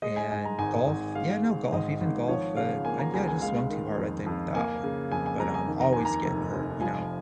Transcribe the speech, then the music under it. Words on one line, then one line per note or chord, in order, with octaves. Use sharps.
and golf yeah, no golf, even golf, uh, I yeah I just swung too hard, I think with that one, but I'm always getting hurt, you know,
G#3 D#5
G#5
G#2 G#5
A#5
G#1 G#5
G#1
G#3 F5
G#2
G#1 D#5
G#1
F3 C#5
C#3 F5
A#3 G#5
A#5
C#2 G#5
G#5
G#3 F5
D#3
F2
F2
A#3 G#5
C#3
F2 G#5
G#5
F2 A#5
G#5
D#3
A#5
D#2 G#5
A#5
F1
F1
F3 G#5